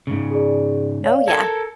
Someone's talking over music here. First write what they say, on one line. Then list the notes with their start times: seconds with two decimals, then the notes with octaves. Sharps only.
Oh, yeah.
0.07 G#2 C#3
0.30 G#4 D5
1.04 C#5 D5 F5
1.28 A4 A#4 A5 G#6